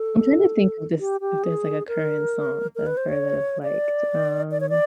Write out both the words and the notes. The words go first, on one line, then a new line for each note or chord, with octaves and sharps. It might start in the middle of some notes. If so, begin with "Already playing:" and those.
I'm trying to think of this if there's like a current song that I've heard that I've liked. Um
Already playing: A4
G4
G4
G#4
A#4
A#4
B4
C5
C#5
D5
D5
C#5
D5